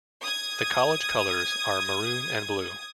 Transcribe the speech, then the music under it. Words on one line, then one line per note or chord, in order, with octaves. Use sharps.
The College colours are maroon and blue.
D#6 G#6